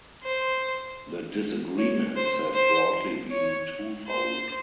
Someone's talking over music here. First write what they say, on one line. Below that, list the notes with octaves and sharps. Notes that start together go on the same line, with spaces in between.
The disagreements have broadly been two fold.
C5
C#5
C5
C5
C#5
C5